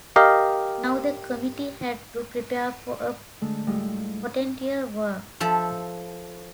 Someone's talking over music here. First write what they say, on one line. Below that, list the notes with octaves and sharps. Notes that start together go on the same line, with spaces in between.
Now, the committee had to prepare for a potential war.
G4 A#4 D#5 F5
D3 G#3 A3
A2 G3 G#3 E4 F4
F3 A4 E5 A5